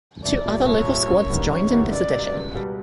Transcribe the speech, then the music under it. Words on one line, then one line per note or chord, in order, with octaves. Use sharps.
Two other local squads joined in this edition.
C2 D5
A#2 G3
C2 C#5
A#2 G3
F#2
D#3 G3 B3 E4
F#2 C#5
D#3 G3 B3 E4
C#2 D5
B2 G3
C#2
B2 G3